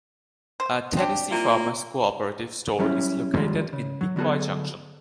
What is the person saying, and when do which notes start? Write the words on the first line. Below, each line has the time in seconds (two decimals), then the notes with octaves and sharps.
A Tennessee Farmers Cooperative store is located in Big Boy Junction.
0.60 C5
0.97 C4 D4 G4
1.31 A#3 E4 F4
2.79 F#3 G3 C#4 E4
3.37 D#3 F3 G3 G#3
3.73 C#3
4.01 F#3
4.16 D3 F#3 B3 F#4 G#4 A4